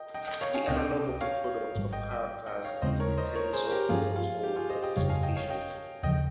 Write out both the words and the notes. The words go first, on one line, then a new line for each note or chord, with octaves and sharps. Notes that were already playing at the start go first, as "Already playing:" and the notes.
The analogue of the product of characters is the tensor product of representations.
Already playing: D#5 G5
D#5 G5
D#5 G5
C#5 F5
F5 G#5
C#2 C3 F3 C4 D#5 G5
C#5 F5
G#1 G#2 G3
D#5 G5
D#5 G5
D#5 G5
C#5 F5
D#2 C#3 G#3 C4 C5 D#5
A#4 C#5
C5 D#5
A#4 C#5
G#4 C5
G4 A#4
G2 F3 A#3 C#4 F4 G#4
F4
G4
F4 G#4
C5 D#5
D#5 G5
G1 F2 C#3 G3 C#5 F5
F5 G#5
D#5 G5
C#5 F5
D#5 G5
D#2 C#3 F3 D#5 G5